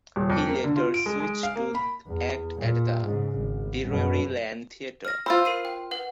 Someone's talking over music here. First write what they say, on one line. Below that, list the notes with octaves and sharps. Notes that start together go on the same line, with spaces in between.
He later switched to act at the Drury Lane Theatre.
D#1
F2
A#3
D3
F4
D7
G#3
G#3
F5
A#3
B5
E2
A#2
G#2 C#3
G#1
F#2 B2
F6 A#6
F4 C5 B5 E6 A6
A#4 C7 D#7
G5
B4 F#5